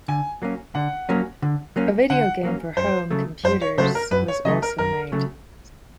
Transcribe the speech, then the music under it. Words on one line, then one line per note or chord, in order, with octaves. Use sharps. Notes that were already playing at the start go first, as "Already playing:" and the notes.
A video game for home computers was also made.
D3 G#5
F#3 A#3 C#4
D3 F#5
F#3 A#3 C#4
D3
F#3 A#3 C#4
D3 F#5
F#3 A#3 C#4
F#2 C5
C#3 F#3 A3
F#2 C5
C#5
C#3 F#3 A3 C5
A#4
F#2 B4
C#5
C#3 F#3 A3 D#5
A#4
F#2 A#4
C#3 F#3 A3